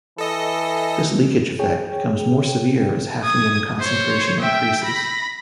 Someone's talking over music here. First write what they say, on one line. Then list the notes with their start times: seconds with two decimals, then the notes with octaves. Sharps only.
This leakage effect becomes more severe as hafnium concentration increases.
0.18 E3 A4 D#5
1.59 G#4 C#5 G5
3.24 D#6 G#6
3.80 C5 C#5
4.40 E5 G5
4.84 B5 A#6